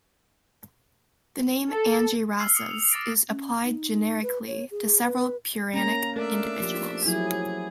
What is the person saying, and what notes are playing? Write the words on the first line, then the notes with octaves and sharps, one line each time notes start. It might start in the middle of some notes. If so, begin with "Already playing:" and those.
The name Angirasas is applied generically to several Puranic individuals.
A4
E6 F6 C7
D#6 C7 C#7
E6 F7
D6 A6 A#6 D7
C#4
D#4
B4
C#5
G#4
B4
A#3 C#4 A#5
A3 D4 A#4 E5
F3 G4
F3 F#3 E4 G#4